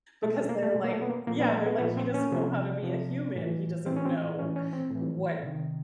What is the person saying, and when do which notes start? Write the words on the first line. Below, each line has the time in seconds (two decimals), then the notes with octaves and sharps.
because they're like Yeah, they're like, he doesn't know how to be a human. He doesn't know what
0.23 B2 A3
0.36 A3
0.49 A#3
0.63 A3
0.75 B2 G#3
0.84 A#3
0.92 A3
1.02 B3
1.10 A#3
1.27 A#2 F3 A#3
1.40 B3
1.53 A3
1.66 B3
1.78 A#2 F3 B3
1.97 C4
2.14 C#4
2.32 C3 F3
2.83 C3 F3
3.35 A2 E3
3.86 A2 E3 C4
3.97 C#4
4.06 C4
4.39 A2 E3 C#4
4.56 C#4
4.73 C4
4.90 A2 E3
5.43 C3 D#3